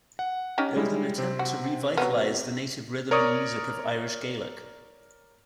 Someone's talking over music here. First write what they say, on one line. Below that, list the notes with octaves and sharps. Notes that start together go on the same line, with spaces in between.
There was an attempt to re-vitalize the native rhythm and music of Irish Gaelic.
F#5
C#4 D#4 G4
G3 G#3 E4
C3 C4
F#4
F#3 G#3 B3
A#4 C#5 D5 C#6 D#6